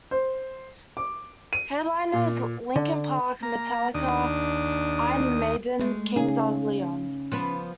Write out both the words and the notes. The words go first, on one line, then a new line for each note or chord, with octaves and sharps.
Headliners: Linkin Park, Metallica, Iron Maiden, Kings Of Leon.
C5
D6
D#7
A#2
D3
A#3 A#5
D#2 D4 D#6
G#3 A3
C#3 D#4 G#4
F3 B3 B4